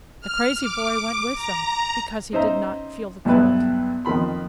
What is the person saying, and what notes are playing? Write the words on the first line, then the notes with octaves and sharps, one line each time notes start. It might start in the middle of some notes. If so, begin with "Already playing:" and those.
The crazy boy went with them, because he did not feel the cold.
F6
D6
A#5
C#4 D#4 C5 E5 A#5
B1 G2 B3 E4 B4
F2 A#2 D#3 B5 C6